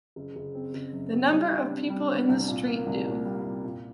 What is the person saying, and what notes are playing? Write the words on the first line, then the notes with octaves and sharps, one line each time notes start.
The number of people in the street do.
F#1
F#1
C4
F#1
F#2
C4
G3
D4
C3
G3
D4
C2
A#2
A#3
C2
A#2
G3
C2
A#2